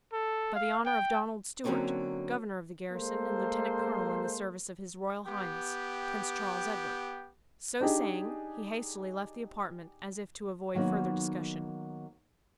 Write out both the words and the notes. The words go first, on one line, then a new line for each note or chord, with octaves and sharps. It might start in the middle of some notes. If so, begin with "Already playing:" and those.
'By the honour of Donald Stewart, governor of the garrison, and lieutenant-colonel in the service of his Royal Highness Prince Charles Edward.' So saying, he hastily left the apartment, as if to avoid further discussion.
A4
F5
G5
D3 F#3 A#3 C4 C#4 D#4
G#3 A#3 A4 C5
B3 G4 G5
D4 D#4 G4 G#4 D#5
D#3 F#3 A#3 B3 D#4